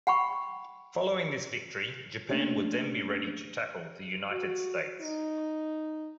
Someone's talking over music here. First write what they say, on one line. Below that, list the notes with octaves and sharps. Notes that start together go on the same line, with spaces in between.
Following this victory, Japan would then be ready to tackle the United States.
F#5 G5 B5 C#6
A3 A#3 C#4 D4 G4
F#4
D#4